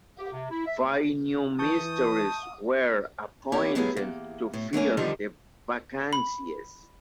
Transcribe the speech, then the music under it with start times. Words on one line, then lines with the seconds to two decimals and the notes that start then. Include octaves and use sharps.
Five new ministers were appointed to fill the vacancies.
0.18 G4
0.33 C3
0.51 E4
0.66 E5
1.59 E3 A5 C#6 D#6 G6
3.52 A#3 C4 E4 G4 C#5
3.75 A2 F#3 B3 E4 G#4 F5
3.97 E2 A#3
4.54 A2
4.73 F#3 A3 A#3 C#4
4.97 D3 D#3 F3 G3 D4 D#4
6.13 B5